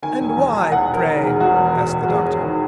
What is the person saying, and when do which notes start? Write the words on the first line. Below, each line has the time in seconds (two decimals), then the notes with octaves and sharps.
"And why, pray?" asked the Doctor.
0.02 D#3 G#5
0.20 E1
0.37 E2
0.54 E1
0.71 E1 F#5
0.89 E1 A#4
1.06 D#3
1.17 G#4
1.23 E1
1.40 E1 F#4
1.57 E2
1.74 E1
1.92 E1
2.03 F#4
2.08 E2 G#4
2.25 E1
2.42 D#3